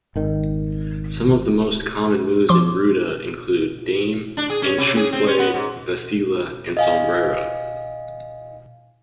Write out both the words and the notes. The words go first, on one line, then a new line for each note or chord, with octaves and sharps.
Some of the most common moves in Rueda include: Dame, Enchufle, Vacila, and Sombrero.
G#1 D#3
F3 C6 D6
D4
G#4
C#4
C3
G#4
C4
C#4
B3
G#2
D#5 F5 G#5